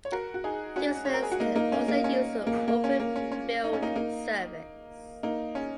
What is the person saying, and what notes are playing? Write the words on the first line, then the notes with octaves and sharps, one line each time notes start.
Users can also use the Open Build Service.
C#5
F#4 A#4
F#4
D#4 G#4
C#4 F#4
C#5
A#4
G#4
F#4
A#3 D#4
A#3 D#4
C#4
A#3
C#4
A#3
A#3
C#4
A#3
C#4
C#4
D#4
C#4
A#3 D#4
A#3 D#4
A#3 D#4
C#4